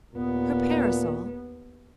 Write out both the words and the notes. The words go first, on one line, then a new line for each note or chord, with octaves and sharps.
Her parasol?
D#2 A#2 B3